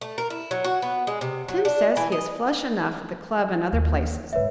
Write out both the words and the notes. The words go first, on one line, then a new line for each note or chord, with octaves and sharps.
Tim says he is flush enough at the club and other places.
A3
A#4
E4
F#3
F#4
B3
G#3
C3
F#3
D4
E3
D#5
D#2 A#3
G#2 B3 B4 C#5 E5